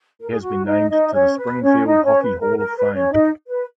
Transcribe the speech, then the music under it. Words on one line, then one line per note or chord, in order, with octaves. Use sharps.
He has been named to the Springfield Hockey Hall of Fame.
A#4
G#4
F#4
D#4 D#5
D#4 D#5
D#5
C#4 C#5
B4
C#4 C#5
D#4 D#5
C#4 C#5
B4
A#4
A#4
B4
C#4 C#5
D#4 D#5
B4